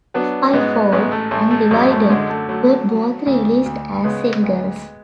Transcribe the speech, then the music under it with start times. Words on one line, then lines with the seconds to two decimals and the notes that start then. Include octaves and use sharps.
"If I Fall" and "Divided" were both released as singles.
0.14 F#3 B3 D4
0.53 G#2 G#3 B3
0.92 A1 G#3 B3
1.12 A3
1.31 A1 A3
1.51 A3
1.71 F#2 G#3
1.90 A3
2.09 D3 G#3
2.30 A3
2.49 F#3 A3
2.88 F#3
3.26 D2
3.66 D2
4.04 C#3 G#3 B3
4.44 D2